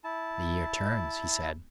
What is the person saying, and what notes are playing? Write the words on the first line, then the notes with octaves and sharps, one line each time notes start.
"The year turns," he said.
E4 A5